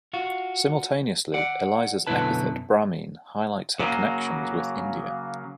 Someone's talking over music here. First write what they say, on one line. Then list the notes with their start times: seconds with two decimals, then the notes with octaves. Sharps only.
Simultaneously, Eliza's epithet Bramine highlights her connections with India.
0.13 F4 F#4
1.34 D5 F#5
2.07 F#2 B2 D3 E4 B4 A5
3.80 C#3 F#3 A#3